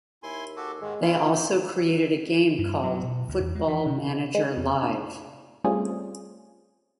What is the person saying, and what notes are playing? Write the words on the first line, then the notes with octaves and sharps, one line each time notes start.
They also created a game called Football Manager Live.
D#2 E4 G#5 C6
F#4 G4 A4
G#2 D#3 G#3
C#4 E4 F4
A#3 C5
G2
F#3
B2
D2
E2
G#3
E3
C3
G#3
F2
D4
G3 A3 C4 C#4 F4 G#4